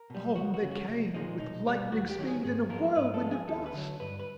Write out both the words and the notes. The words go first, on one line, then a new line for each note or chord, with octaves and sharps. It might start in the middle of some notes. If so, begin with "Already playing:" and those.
On they came, with lightning speed, in a whirlwind of dust.
Already playing: A#4
B2 G3
C#2 F#4
F#4
C#3 F#3
F#4
C2
A#2 F3 G#3 D#4
B1 D#4
B2 G3
D#2 F#4
G4
D#3 F#3
G#4
G#2 G#4
F3 G#3 A#4
G#2 B4
A4
F3 G#3
G#4
D#2 A4
B4
D3 F#3
G2 B4
B4